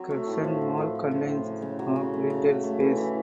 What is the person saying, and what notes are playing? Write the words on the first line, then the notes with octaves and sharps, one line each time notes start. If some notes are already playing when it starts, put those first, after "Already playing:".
Crescent Mall contains of retail space.
Already playing: F#3 C4
A3
A2
F3
A2
F3
F3
F3
A2
C#3
C#3
F#3
C#3
A3
C#3
C#3
A3
E3
E3